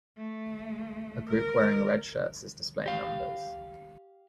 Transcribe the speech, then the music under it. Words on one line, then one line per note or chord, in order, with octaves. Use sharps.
A group wearing red shirts is displaying numbers.
A3
A#4
G4 F5